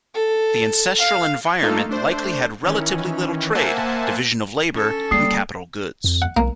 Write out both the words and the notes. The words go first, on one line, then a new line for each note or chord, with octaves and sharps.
The ancestral environment likely had relatively little trade, division of labor, and capital goods.
A4
F5
A3 A#3 D#4 F4 A4 F5
A3 D4 C5
D#3 E3 C#4
A#3 C5 E5 F#5 G#5 A5
C#4 A4
G3 A#3 D#6 C7
F2
F#5
B1 A#3